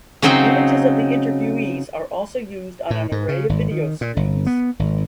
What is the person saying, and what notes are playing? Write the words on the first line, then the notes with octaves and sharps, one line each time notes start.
Images of the interviewees are also used on an array of video screens.
C#3 F#3 C4 D#4 C5 G5
A2
G#2
C#3
G#1
D#3
A#2
G1
B3
G#1